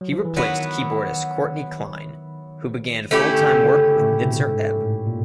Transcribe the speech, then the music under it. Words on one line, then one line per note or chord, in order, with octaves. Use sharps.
He replaced keyboardist Kourtney Klein, who began full-time work with Nitzer Ebb.
F#3
F3
E3
D#3 F#3 B3 E4
A3 C#4 E4 G4
D3
C#3
A2
C3
B2
G#2
A2
A#2